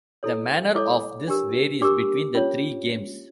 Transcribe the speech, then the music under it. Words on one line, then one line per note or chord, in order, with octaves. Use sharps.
The manner of this varies between the three games.
E4 A4 C#5
E4 A4 C#5 D6
D4 G4 A#4
D4 G4 A#4 D6
C#4 F4 C#5